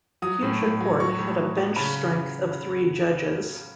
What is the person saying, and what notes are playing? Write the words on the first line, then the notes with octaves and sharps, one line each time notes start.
Huzur Court had a bench strength of three judges.
F#3 D#6
A2
A2
F#3
F#3 C#6
A2
F#3
F#3
C#3 B5